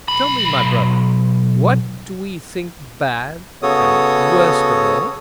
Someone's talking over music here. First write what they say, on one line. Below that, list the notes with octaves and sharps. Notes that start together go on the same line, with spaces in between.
Tell me, my brother, what do we think bad, and worst of all?
B1 B5
C#3 B3 F#4 A4 C#5 D#6